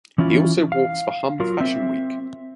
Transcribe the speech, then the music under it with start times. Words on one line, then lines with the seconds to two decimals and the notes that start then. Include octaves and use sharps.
He also walks for Hum Fashion Week.
0.18 E3 C#4 E4 F4
0.72 F5
1.40 F#3 F4 A#4
1.60 C4 E5